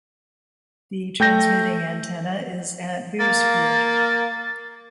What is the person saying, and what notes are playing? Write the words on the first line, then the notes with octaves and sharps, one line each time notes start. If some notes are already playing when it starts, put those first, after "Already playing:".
The transmitting antenna is at Beresfield.
A3 G5 G6 A#6
A#3 A6